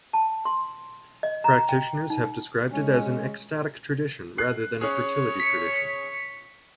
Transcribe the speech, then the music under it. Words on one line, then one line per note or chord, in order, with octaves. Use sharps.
Practitioners have described it as an ecstatic tradition rather than a fertility tradition.
A5
C6
D#5
A#5
G5
D#4
G#3 C#4
F#6 C7
C#4 G#4 C#5
B6 C#7